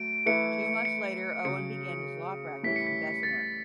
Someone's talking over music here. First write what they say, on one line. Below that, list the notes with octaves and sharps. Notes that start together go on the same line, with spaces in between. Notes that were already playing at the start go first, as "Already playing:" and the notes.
Two months later Owen began his law practice in Bessemer.
Already playing: F#3 A3 F#4 D7
E3 A3 E4 B4 E5 C#7
C#7
C#3 F#3 C#4 C#7
A2 E3 G3 C#4 E4 B6
C#7
B6
A6